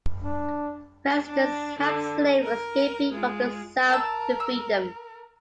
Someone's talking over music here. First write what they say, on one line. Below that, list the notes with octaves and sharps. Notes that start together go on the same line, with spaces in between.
Residents helped slaves escaping from the South to freedom.
D4
D4
D3
A#4
G#3 F4
A#4 A5 E6
E6